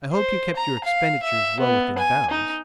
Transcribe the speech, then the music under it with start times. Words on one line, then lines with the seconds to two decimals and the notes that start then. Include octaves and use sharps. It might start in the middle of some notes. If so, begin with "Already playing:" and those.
"I hope you kept your expenditures well within bounds?"
0.13 C5
0.56 A#5
0.84 F5
1.23 E5
1.60 B3
1.98 G#5
2.31 D#4